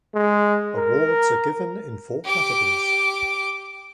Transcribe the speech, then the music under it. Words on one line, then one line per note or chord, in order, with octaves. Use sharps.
Awards are given in four categories.
G#3
A#4
G4 D6